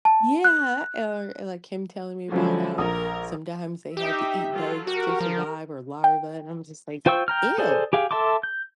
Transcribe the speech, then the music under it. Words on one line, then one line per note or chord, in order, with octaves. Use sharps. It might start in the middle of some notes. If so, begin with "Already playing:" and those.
Yeah, or or, like, him telling me about how sometimes they had to eat bugs to survive, or larvae, and I'm just like, "Ew!"
A5
F#6
D3 F3 F#3 G#3 C#4 E4
A#1 A#4 D#6
D#4 G4 E5
F#3 F4 A4
F#4 G4 A#4
F3
G5
F4 C5 G5 C#6 E6
G5 A#5 F6
G#4 A4 C5 D5 G#5
G4 G#4 F5 G5
A4 E5 A5 C6 D6
G6